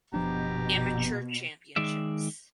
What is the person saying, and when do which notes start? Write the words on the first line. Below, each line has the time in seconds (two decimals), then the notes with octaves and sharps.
Amateur championships.
0.14 F#1 B2 F3 D4 G4 A#5
1.76 D#3 G#3 D5 E5